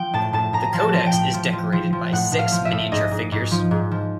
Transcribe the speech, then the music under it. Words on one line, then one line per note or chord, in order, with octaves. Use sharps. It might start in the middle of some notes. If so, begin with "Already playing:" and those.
The codex is decorated by six miniature figures.
Already playing: F3 G5
A2 A5
A2 A5
A2 A#5
F3
A5
F3
G5
A2
F3
F3
F3
F3
A2 F#5
A2
F5
F3
E5
A2
G#2 D#5
G#2
G#2
F3
G#2
F3